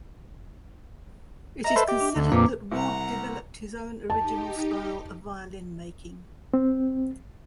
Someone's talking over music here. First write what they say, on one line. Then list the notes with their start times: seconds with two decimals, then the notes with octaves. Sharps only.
It is considered that Ward developed his own original style of violin making.
1.64 D#5 E5 A#5
1.76 A4 B4 C5
1.88 G4
2.01 D4
2.16 D2
2.32 F2 A#2 A#3 B4 D6
2.71 C2 F#5 A#5
4.10 D#4 G4 A5
6.54 C4